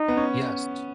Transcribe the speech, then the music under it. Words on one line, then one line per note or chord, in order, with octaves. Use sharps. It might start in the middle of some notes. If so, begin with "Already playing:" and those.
Yes, t
Already playing: D#4
B3
C#4